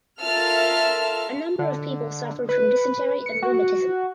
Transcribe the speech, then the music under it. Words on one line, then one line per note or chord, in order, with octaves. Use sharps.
A number of people suffered from dysentery and rheumatism.
F4 A4 A#4 E5 A5 F6
D3
B4
C#7
F#4